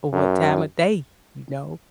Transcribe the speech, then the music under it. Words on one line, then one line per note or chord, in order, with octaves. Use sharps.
or what time of day, you know?
F#2